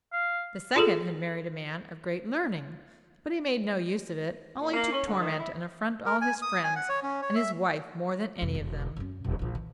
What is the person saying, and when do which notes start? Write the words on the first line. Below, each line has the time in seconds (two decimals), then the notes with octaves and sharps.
The second had married a man of great learning; but he made no use of it, only to torment and affront all his friends, and his wife more than any of them.
0.13 F5
0.76 F4 G#4 A4
4.60 A#2
4.74 A#3
4.93 C#4
5.07 D3
5.20 D#3
5.38 E4
6.06 A#4
6.21 G#5
6.42 D#6
6.64 G#5
6.76 F#5
6.89 C#5
7.03 C#4
7.22 C#5
7.35 E5
8.42 C2 F2
8.55 E1
8.96 F#2 C#4
9.24 D#1
9.39 A#1 F3
9.55 E3